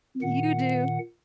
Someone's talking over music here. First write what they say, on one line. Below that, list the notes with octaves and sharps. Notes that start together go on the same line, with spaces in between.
You do.
A#2 D#3 F#5